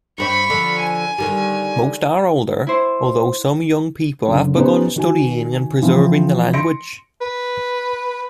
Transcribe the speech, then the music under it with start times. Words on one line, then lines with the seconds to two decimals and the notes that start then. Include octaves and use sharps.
Most are older, although some young people have begun studying and preserving the language.
0.18 G2 C4 C#5 B5 C#6
0.50 D3 F3
0.79 G#5
1.18 D3 D#3 G3
2.67 E4 C5
4.28 F#1 D3
4.56 B3 C#4 D#4 G4 B4 C5
4.96 D#3 F#4 G#5
5.82 E3 F3 C4
6.54 C6 A#6 C#7 D7
7.21 B4